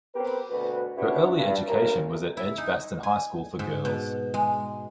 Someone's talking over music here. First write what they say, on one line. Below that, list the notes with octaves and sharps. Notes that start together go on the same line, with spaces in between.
Her early education was at Edgbaston High School for Girls.
B3 C4 G4 A#4 B4
D2 B2 F#4 B4
C#4 D4 E4 F#4 G4 B4
G2
A1 A#4
E4
D#4
G#5
G#2
B2
G#3